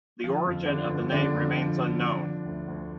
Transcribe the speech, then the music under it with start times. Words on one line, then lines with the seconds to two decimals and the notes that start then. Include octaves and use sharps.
The origin of the name remains unknown.
0.24 D3 F3 F4
0.45 F2
0.67 D3 F3 D4
0.90 G1
1.12 D3 D4
1.34 F2
1.56 F3
1.78 G1
2.01 F3
2.24 D3
2.45 D2
2.68 D2